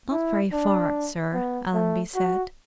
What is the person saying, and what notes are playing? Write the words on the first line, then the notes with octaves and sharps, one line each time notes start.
"Not very far, sir," Allenby said.
E4
D4
B3
A3
F#4